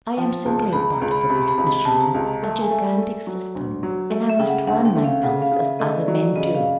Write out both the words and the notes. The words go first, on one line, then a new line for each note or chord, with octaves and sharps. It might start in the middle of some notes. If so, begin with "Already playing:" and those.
I am simply a part of a great machine--a gigantic system, and I must run my mills as other men do.
F3 G5
C#2 A5
C#2 B5
A#5
C#2
B5
C3 B5
B5
C#2
B5
C3 A5
A#5
C#2 A#5
A#5
A3 A5
G#5
A3
D5
A3
F#3
D2
F#3
A3
E5
C#3 G5
F#5
D2 F#5
G5
A3
F5
C#3 F#5
F5
C#3
E5
A3 D#5
D5
F#3
D5
C#3 D#5
F5